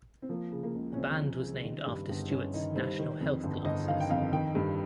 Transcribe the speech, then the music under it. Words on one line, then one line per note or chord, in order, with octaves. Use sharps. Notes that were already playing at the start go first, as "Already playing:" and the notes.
The band was named after Stewart's National Health glasses.
C4
F3 A#3
C#3
A#3
C#2
C#4
C#2 C4
F3
C#3
D#3
G2
G1
G1 C#4
D#3 D#4
G2 C5
D#3
F2
G1
G1 D#5
D#3 F5
G5
F2 F5
D#3 G5
G2